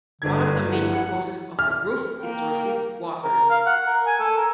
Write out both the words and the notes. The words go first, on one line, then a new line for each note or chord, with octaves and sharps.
One of the main purposes of a roof is to resist water.
G1 D3 D4 G#6
F3 E4 F#5
F6
A#3 G5
A#4
F5
F#5
A#4
G#5
A4
A#4